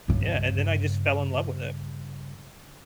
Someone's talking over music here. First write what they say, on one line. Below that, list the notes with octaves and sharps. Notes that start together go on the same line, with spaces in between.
Yeah, and then I just fell in love with it.
G2 C#3